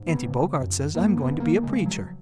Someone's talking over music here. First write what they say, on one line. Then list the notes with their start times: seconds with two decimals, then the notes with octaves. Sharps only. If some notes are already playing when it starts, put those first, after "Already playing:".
Auntie Bogart says I'm going to be a preacher.
Already playing: G#2
0.08 B3
0.26 C#3
0.60 F#2
0.94 F#2 A#3
1.17 B3
1.29 C#3
1.40 A#3
1.63 C#3 G#3
1.86 F#3